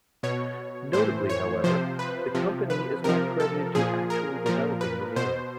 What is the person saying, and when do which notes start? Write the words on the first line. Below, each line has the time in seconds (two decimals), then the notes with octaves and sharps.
Notably however, the company is not credited to actually developing the game.
0.23 B2 C#5
0.93 A2 E3 C5
1.29 C#5
1.64 C3 F3 C5
1.99 B4
2.35 C3 F3
2.70 B4
3.04 C3 F3 A#4
3.40 A4
3.75 A#2 F3 G#4
4.10 A#4
4.46 A#2 F3 A#4
4.81 B4
5.16 B2 C5